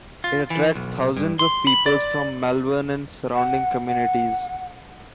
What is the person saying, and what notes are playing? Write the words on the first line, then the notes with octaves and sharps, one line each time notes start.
It attracts thousands of people from Malverne and surrounding communities.
F4
E3
B1
G2
C6
B5
D5
F#5
F#5